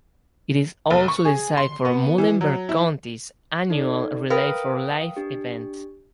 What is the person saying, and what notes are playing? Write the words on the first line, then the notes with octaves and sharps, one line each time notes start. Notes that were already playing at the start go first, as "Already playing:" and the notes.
It is also the site for Muhlenberg County's annual Relay for Life event.
F1
C#6
G#4
C6
B3
E3
F#3
E4
D#4 A4 D5
A#4 B4 F5 G5 D#6
D4 G4